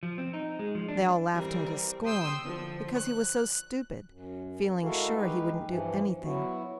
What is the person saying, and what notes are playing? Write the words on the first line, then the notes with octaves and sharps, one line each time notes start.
They all laughed him to scorn, because he was so stupid, feeling sure he wouldn't do anything.
F3
C4
D#4
G#3
F3
D4
E3 G3 C4 A#4
G5 C6 D#6 E6 G6
D3 F3
F#6
F#2
G#3 E4 F#4 A4 A#4 F5
G#3 D#4 G4 B4
G2 E3 F3
F#3 B3 E4 F#4